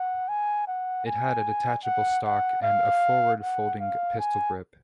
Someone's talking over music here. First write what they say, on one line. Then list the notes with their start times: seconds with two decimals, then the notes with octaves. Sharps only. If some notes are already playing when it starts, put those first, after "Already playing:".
It had a detachable stock and a forward-folding pistol grip.
Already playing: F#5
0.29 G#5
0.67 F#5
1.07 G#5
1.85 F#5
2.25 F#5
2.62 F5
3.40 F#5
3.80 F5
4.19 G#5